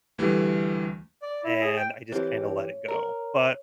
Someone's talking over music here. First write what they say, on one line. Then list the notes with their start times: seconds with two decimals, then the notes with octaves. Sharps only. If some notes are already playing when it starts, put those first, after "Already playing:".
and I just kinda let it go, but,
0.18 D2 E3 G3 A3
1.22 D5
1.44 E4
1.61 G#4
1.77 G5
2.12 E3 C4 G4 C#5
2.88 A#4